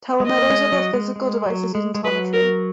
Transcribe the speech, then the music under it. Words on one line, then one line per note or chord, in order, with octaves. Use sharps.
Telemeters are the physical devices used in telemetry.
G#3
A#3 D#5
G#3
F#3
G#3
G#3
F#3
G#3
G#3
F#3 B4
A#4